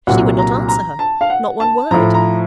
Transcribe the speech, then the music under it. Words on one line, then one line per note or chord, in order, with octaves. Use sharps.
She would not answer her--not one word.
C2 A#2 F#3 F#5
A#5
A#5
A5
F5
F#5
A5
A2 F3 A#5
A#5